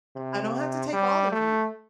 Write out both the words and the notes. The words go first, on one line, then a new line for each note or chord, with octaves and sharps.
"I don't have to take all of you,
C3
G3
A3